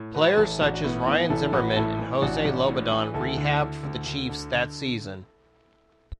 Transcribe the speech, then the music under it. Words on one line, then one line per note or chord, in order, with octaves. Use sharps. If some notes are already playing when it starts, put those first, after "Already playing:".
Players such as Ryan Zimmerman and Jose Lobaton rehabbed for the Chiefs that season.
Already playing: A2
E3 F#4 B4
A1 E4 A4
A1 D4 F#4
F#4
A2 B3 E4
E3 B3 E4
A1 E4 A4
A1 F#4 B4
A2 E4 A4
E3
A1 D4 F#4
A1
A2
E3
D2 E4 A4
D3
D3
D2
D2
D3
D3